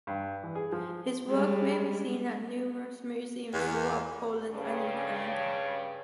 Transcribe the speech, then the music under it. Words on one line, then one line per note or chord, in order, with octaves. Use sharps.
His works may be seen at numerous museums throughout Poland and Ukraine.
G2
E3
G#4
F3
G3 G#3
E2
G2 C#3